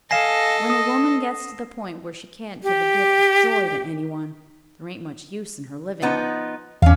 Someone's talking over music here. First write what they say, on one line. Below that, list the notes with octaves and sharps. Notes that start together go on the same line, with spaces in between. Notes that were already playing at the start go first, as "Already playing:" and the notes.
When a woman gets to the point where she can't give a gift of joy to anyone, there ain't much use in her living.
A4 D#5 F5 G#5 A#6 C7 E7
D#6
G4
F3 B3 D#4
E2 C#4 F5